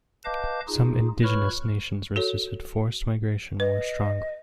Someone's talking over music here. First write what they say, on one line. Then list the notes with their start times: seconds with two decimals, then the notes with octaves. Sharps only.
Some indigenous nations resisted forced migration more strongly.
0.25 B4 D#5 F5 A5 D6 G6
0.67 D#4 F4 G#4
1.23 A#2 B4 C#5 B5 C#6 F6
2.16 F#4 A4 C#5
3.60 B4 D#5